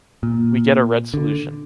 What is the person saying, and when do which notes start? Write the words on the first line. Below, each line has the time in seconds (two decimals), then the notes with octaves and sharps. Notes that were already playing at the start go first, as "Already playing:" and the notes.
We get a red solution.
0.23 A#2
1.14 D3